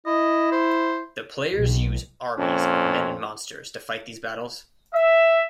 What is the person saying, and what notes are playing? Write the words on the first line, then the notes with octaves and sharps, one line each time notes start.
The players use armies of men and monsters to fight these battles.
E4 D#5
C5
B1
F2 A#2 C#4
E5